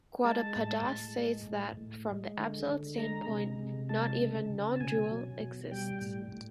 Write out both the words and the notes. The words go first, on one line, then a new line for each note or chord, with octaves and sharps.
Gaudapada states that, from the absolute standpoint, not even "non-dual" exists.
G#3 A5
A2
A2
G#3
A2
A2
G#3
D3
D3
G#3 A#5
C3
C3
G#3 A5
C#3
C#3
A5
B2 G#5
F#3
B2
G3 G5
A2
A2